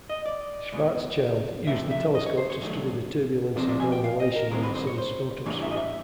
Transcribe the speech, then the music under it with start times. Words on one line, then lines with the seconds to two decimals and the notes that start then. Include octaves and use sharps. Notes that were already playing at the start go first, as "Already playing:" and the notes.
Schwarzschild used the telescope to study the turbulence and granulation in the Sun's photosphere.
0.10 D#5
0.26 D5
0.72 B2 G#3 B3
1.67 C3 F3 A3 C4 E5
1.91 E5
2.15 D#5
2.26 C#5
2.38 C5
2.50 C#5
2.61 G2 D#3 F#3 A3
3.56 C3 F3 G#3 C4 D5
3.69 D5
3.80 G#5
3.92 G5
4.04 F5
4.20 D#5
4.36 A#4
4.51 G2 D#3 G#3 C4 A#4
4.63 B4
4.75 C5
4.87 C#5
4.98 C5
5.46 G#2 E3 G3 A#3 D4 C#5
5.62 E5
5.71 D#5
5.77 E5